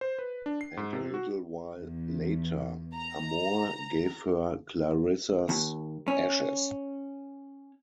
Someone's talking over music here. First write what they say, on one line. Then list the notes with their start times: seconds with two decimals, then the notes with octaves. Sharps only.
And a little while later, Amor gave her Clarissa's ashes.
0.01 C5
0.19 B4
0.46 D4
0.61 C7
0.77 G#2
0.93 C3
1.14 F#4
1.76 E2
2.93 A#5
5.49 D#2
6.08 C#4